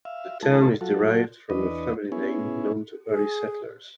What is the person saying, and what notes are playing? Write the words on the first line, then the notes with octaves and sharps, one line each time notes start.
The town is derived from a family name known to early settlers.
E5 F5
G#3 D#4 F4 A4 A5
F#3 F4 F#4 A4
E2 D4 B4 D#5
B3 C#4 E4 G#4
G#4